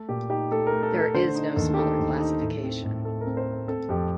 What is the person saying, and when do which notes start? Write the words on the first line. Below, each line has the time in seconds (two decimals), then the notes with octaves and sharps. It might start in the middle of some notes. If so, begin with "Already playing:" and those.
There is no smaller classification.
Already playing: A3 A4
0.09 A#2 G4
0.30 D#4 G4
0.51 A3 A4
0.67 A#4
0.72 A3
0.83 A4
0.94 A3
0.99 A4
1.14 D3 C5
1.35 D#4
1.56 D#2 A4
1.74 G4
1.78 D#4 A4
1.99 D#2
2.20 D#4
2.41 A2
2.63 C4
2.84 A2
3.04 A3 A4
3.21 A#4
3.27 C4
3.37 C5
3.47 A3
3.53 A4
3.68 C4 A4
3.89 F2 G4